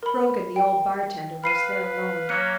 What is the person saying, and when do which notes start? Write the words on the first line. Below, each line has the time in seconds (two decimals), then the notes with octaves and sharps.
Grogan, the old bartender was there alone.
0.03 A#4 B5
0.56 G5
1.44 B4 F5 B5 C7 D#7
2.29 F#3 A#3 C#4 F#6 C#7